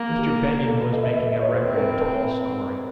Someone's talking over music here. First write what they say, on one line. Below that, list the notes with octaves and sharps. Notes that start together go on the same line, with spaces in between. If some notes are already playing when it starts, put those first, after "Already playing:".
Mr. Benyon was making a record in tall scoring.
Already playing: A#3 G#4
G4
A4
B4
D#5
E5
E5
D#5
C#5
C5
C4 B4
A#4
B4
A#4